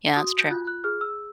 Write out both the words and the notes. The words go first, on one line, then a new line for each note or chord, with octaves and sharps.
Yeah, that's true.
F#4 D#6
G6
F4 F#6
F#6
G#4 F6
E6